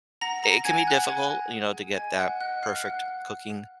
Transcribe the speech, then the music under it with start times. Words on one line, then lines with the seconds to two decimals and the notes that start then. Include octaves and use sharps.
It can be difficult, you know, to get that perfect cooking.
0.21 F#5 A#5 A#6
0.44 A#5 A#6
0.65 F#5 G#5 G#6
0.87 F#5 F#6
1.09 F#5 G#5 G#6
1.54 G#4
1.97 D#5 G#5 G#6
2.19 F#5 F#6
2.41 D#5 F#5 F#6
2.63 F5 F6
2.85 F#5 F#6